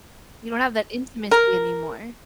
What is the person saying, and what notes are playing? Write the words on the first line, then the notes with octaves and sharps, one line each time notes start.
You don't have that intimacy anymore.
A#4